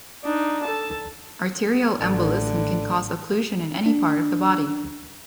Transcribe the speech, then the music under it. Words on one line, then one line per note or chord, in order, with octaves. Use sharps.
Arterial embolism can cause occlusion in any part of the body.
D4 D#4
A4 A5
A1 D3
D4